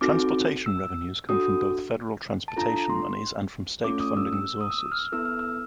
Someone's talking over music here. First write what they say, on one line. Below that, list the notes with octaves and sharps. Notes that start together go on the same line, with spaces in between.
Transportation revenues come from both federal transportation monies and from state funding resources.
C4 D#4 F#4 A4 D6
E6
D4 F#4 A4 D#6
A5
D4 F4 A4 A#5
C6
A3 C#4 F4 A4 D6
D#6
E6
E6
D#6
E6
F6
B3 E4 A4 E6
F6
E6